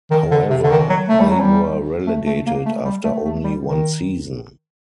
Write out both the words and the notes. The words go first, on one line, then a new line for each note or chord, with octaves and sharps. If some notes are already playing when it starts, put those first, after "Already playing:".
However, they were relegated after only one season.
D#3
D3
C3
D3
D#3
F#3
A3
G3
F#3
G3
A3
A3
A#3
A3
G3
A3
A3
G3
D#3